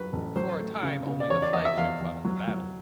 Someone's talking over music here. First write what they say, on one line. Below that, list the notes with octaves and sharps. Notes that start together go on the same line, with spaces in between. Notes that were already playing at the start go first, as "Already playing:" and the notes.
For a time only the flagship fought in the battle.
Already playing: G2 F#3 B4
A1
F#3 C5
A3
C#3
C#3
D5
E2 C#5
D5
E2 D#5
E5
E2 F5
E2
F#3
F#3